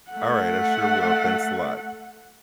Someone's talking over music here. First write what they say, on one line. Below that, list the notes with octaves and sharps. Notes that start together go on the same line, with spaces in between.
Alright, I sure will, thanks a lot.
A3 F#5